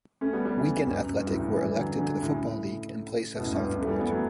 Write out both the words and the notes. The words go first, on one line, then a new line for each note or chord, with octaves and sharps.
Wigan Athletic were elected to the Football League in place of Southport.
A3 C#4
G3 B3
G3 B3
C#3 E3
G2
F#2
F#2
G2
F#2 A2
A2 C#3
C#3 E3
E3 G3
D3 F#3
C#3 E3
D3 F#3
A2 C#3
A2 C#3
B2
F#2 A2
G2
G2
F#2 A2
A3
E3 G3
G3 B3
F#3 A3